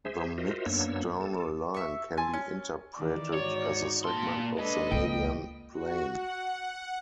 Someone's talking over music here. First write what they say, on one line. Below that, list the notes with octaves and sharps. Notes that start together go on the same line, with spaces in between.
The midsternal line can be interpreted as a segment of the median plane.
G#4 C5 E5
F4 F#4 A#4 C5 D#5 E5
F#2 A#3 B3 D4 C#5 E6
A4
E5 C#6
G#5 A5 C6
C#4
D#3 E3 D5
G#2 D#4 F#4 C#5
A#2 A5 C6
G#3 D4 A4 B4 D#5
C#2 A#3 G5
F#4
F#5